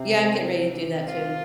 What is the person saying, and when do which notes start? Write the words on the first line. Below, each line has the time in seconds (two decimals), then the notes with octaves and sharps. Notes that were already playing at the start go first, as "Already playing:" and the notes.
Yeah, I'm getting ready to do that too.
Already playing: C3 C4
1.05 F4